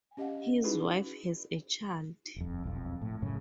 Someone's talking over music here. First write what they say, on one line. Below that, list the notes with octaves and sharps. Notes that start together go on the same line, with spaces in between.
His wife has a child.
C#4 G4 D#5 F5 F#5
C#4 D#4 E4 F#4 G#4 B4
D#1 F2
E1 B1 F2
A2
F#2 A2 C#3